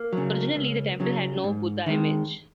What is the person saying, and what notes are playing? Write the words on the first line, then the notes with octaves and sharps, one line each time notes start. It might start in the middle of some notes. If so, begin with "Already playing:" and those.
Originally the temple had no Buddha image.
Already playing: A#3
C#3 F#3
C#2
C#3 F#3
G#2
D#3 G#3